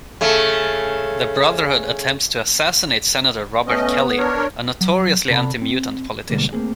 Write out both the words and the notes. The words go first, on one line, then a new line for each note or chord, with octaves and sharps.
The Brotherhood attempts to assassinate Senator Robert Kelly, a notoriously anti-mutant politician.
C#3 A3
A3 B3 C#4 D#5
D4 A#4 C#5
F#3
C3 C4 A4 D5 A5 B5
C4
B2 D3 G3 G#3 A#3
A3 A#3 C4 G#4